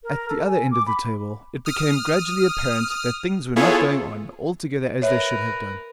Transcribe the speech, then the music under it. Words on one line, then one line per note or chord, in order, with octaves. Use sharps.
At the other end of the table it became gradually apparent that things were not going on altogether as they should have done.
A#4
A4
G#5
D6
B5
D#6 F6
B3 E4 F4 G#4 A4 C#5
A#4 B4 C#5 E5